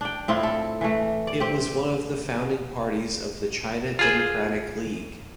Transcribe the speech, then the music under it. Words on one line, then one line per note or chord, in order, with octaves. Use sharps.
It was one of the founding parties of the China Democratic League.
D4 G5
A2 C4 E4 F4
A4
E3 A3
D5
C4 G4
F4 G#4 C5